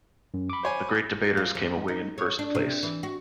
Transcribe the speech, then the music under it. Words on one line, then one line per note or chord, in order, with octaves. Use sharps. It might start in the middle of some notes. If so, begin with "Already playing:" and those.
The Great Debaters came away in first place.
F#2
B5 D6
C5 C#5 G#5
F4
F2
D#4
C#5
D4
C3
E3
F#4